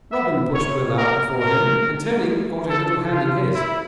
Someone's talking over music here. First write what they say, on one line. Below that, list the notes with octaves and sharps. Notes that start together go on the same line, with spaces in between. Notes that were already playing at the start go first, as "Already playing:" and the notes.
Robin pushed Will out before him; and, turning, caught her little hand in his.
E5
C#5
A#4
A#4
A4
F4
E4